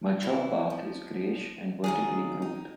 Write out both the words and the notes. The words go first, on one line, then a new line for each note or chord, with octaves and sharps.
Mature bark is grayish and vertically grooved.
E3 E4
F3
D#3 F#3 F4 G#4
D#4